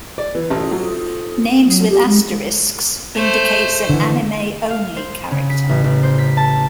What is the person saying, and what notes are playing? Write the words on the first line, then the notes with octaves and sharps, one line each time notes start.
Names with asterisks indicates an anime-only character.
D5
E3
A1
F#3
C4
F#3
G4
G#3
A3 C5
D3 E3
F5
C5
C#3
B6
A1
A1
C5
B6
A5